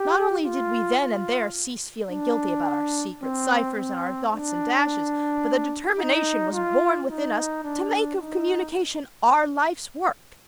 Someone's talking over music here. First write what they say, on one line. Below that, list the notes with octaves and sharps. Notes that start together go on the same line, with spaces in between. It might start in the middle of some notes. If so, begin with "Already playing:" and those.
Not only did we then and there cease feeling guilty about our secret ciphers and our dots and dashes, but the determination was born within us to make of communication our life's work.
Already playing: G4
F4
F4
D4
C4
C4
D4
D#4
F4
D#4
D4
D#4